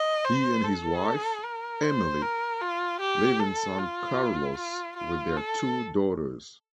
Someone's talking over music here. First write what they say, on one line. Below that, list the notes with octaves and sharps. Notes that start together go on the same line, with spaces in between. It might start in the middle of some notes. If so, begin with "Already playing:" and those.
He and his wife, Emily, live in San Carlos with their two daughters.
Already playing: D#5
C5
A4
A#4
C5
A#4
F4
G4
A4
F4
F4
F4
A4